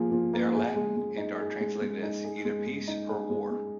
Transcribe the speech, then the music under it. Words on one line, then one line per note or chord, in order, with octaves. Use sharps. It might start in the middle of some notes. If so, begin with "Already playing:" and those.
They are Latin and are translated as, "Either Peace or War".
Already playing: F3 A#3 G#4
F3
A#3
G#4
G#3
G#3
D#4
G#4
G#3
G#3
D#4
G#4
G#3
G#3
D#4
G#4
G#3
G#3